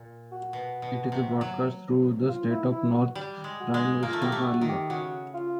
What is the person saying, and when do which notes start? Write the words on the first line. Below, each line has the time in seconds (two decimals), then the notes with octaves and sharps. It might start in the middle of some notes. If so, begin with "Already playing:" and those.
It is broadcasted throughout the state of North Rhine-Westphalia.
Already playing: A#2
0.32 F#4
0.53 B2
0.82 B2
1.12 C3
1.41 F#3
2.28 F4
2.50 E4
2.71 E4
2.94 F#4
3.15 G3 G4
3.44 G#3
3.60 F#4
3.74 G#3
4.03 A#3 F4
4.13 A3
4.22 A#3 G4
4.32 A3
4.47 F#4
4.61 D#3
4.69 G4
4.90 C#3 F#4
5.34 F4